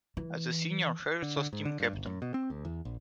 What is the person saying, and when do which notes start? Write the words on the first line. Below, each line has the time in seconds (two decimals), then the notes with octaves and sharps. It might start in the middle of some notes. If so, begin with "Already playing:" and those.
As a senior, Harris was team captain.
0.17 E3
1.22 D3
1.37 D3
1.53 G#2
1.65 D3
1.80 G2
1.93 G1
2.06 F#2
2.22 B2
2.34 C4
2.50 D2
2.65 E2
2.85 A#1